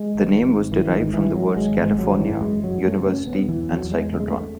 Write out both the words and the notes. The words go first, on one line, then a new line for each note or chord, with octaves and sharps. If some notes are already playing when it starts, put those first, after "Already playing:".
The name was derived from the words "California", "university" and "cyclotron".
Already playing: G#3
G#1
G#2
G#1 E3
D#3
G#2
E3
G#2
F#3
G#1 G#3
G#3
G#1
F#3
F#2
E3
F#2 G#3
F#3
F#2
A3
C#3
C#4
E1 B3
E3
E2
F#3
E2
G#3
C#3 A3
G#3
A3